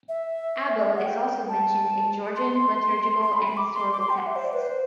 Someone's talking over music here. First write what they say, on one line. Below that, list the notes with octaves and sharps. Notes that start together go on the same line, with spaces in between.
Abo is also mentioned in Georgian liturgical and historical texts.
E5
D5
E5
F#5
G5
A5
C6
C6
B5
B5
D6
C6
D6
C6
G5
F#5
E5
C5
D5
B4
C5